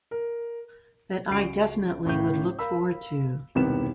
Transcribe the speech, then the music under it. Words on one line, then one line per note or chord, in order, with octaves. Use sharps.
That I "definitely" would look forward to.
A#4
C#2 F#4 C7 D7
A1 A2 C#3 G6
A#4 F5 B5 E6
E1 C2 C3 D#3 B3 E7